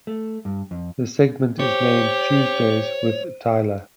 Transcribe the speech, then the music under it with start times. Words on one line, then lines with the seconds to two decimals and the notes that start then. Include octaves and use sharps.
The segment is named "Tuesdays With Tyler".
0.07 A3
0.45 G2
0.71 F2
1.60 G4 C5 C#5